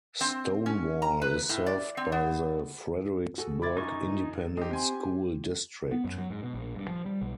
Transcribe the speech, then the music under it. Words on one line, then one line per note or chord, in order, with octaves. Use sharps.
Stonewall is served by the Fredericksburg Independent School District.
C4
C#4
A#5
B4
A2
D5
C4
B3
F#4 G#4 A4
E5 B5 D6 G#6 A6
F#2 D#4 F4 C#6
C4 D#4 G4
G4 G#5 C6
B3
F#2
F#3
G#2
B2
A#1
G2
F3
G3
B1